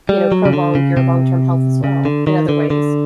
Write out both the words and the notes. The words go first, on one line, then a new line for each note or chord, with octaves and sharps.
you know, prolong your long-term health as well, in other ways?
G3
F#3
C#3
D3
C#3
C3
C#3
D3
D#3
D3
D3